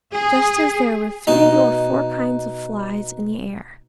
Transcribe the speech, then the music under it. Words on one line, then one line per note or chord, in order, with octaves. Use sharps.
Just as there were three or four kinds of flies in the air.
G#4
B2 D#4